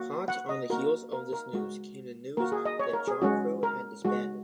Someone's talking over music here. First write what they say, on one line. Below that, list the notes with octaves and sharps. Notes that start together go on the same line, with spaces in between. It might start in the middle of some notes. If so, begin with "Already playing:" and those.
Hot on the heels of this news came the news that Jarcrew had disbanded.
Already playing: A#3 F#4
F#5
D#5
A#3 F#4 A#4
A#4
A#4
G#3 F#4
A#3 F#4 A#4
G#4
D#5
C#5
A#4
G#4
G#3 C#4 F#4
A#4
G#3 F#4